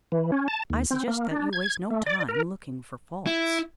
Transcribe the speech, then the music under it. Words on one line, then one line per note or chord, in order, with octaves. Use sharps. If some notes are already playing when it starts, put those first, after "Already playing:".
"I suggest that you waste no time looking for faults."
E3
C#4
A5
D#2
C4
A#3
D4
G#6
A3
D5
A#4
E4